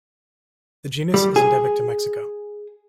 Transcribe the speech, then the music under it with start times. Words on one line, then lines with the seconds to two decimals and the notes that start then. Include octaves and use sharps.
The genus is endemic to Mexico.
1.14 G3
1.36 G#4